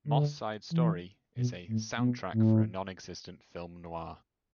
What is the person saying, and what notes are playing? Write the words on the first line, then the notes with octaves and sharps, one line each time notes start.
"Moss Side Story" is a "soundtrack for a non-existent film noir".
D3
E3
B2
A2
A2
B2
A2